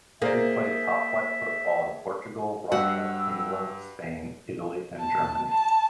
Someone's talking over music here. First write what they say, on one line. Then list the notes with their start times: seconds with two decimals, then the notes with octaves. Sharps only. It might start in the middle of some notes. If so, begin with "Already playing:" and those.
He played top flight football in Portugal, Russia, England, Spain, Italy and Germany.
0.22 A#3 G#4 C5 D5 E5
2.72 G2 F#4 F#5 E6
5.00 A5
5.50 A5